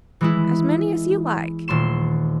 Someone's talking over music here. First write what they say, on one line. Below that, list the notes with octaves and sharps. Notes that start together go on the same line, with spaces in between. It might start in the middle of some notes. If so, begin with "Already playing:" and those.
"As many as you like."
E3 G#3 E4
D#1 A3 C6 E7